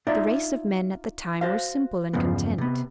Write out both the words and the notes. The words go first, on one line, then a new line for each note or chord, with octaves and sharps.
The race of men at the time were simple and content.
D4 D#4 F4 D5 E5
F#4 C5 F5
E2 G2 C#3 F3 B3
C3 B3